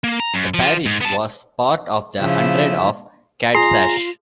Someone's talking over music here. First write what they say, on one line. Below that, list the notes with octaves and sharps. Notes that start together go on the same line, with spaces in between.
The parish was part of the hundred of Catsash.
A#3
A#5
F#2
F3
G#2
B3 A5
C#3 F3 E4
F4 G#4 A#5 C6